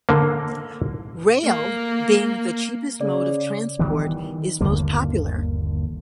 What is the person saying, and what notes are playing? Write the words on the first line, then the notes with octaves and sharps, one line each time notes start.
Rail, being the cheapest mode of transport, is most popular.
D3 A#3
A#3
C#3 D5
D#3 E3 G3 B3
G1 D#2 D3 A#3